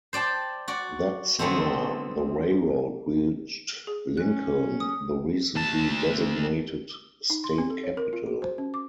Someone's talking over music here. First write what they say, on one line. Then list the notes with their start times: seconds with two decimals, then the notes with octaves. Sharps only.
That summer, the railroad reached Lincoln, the recently designated state capital.
0.13 C5 D5 G5 A5
0.68 F#4 D5
1.39 D3 G#3 A3 B3 C4
3.87 G#4
4.17 C#4 F#6
4.80 D#6
5.55 D2 A5
7.30 D#4
7.44 C6
7.58 C4
7.70 A4
7.83 C#5
7.97 A#4
8.13 F4
8.26 F#4
8.42 C5
8.58 C#4
8.74 D6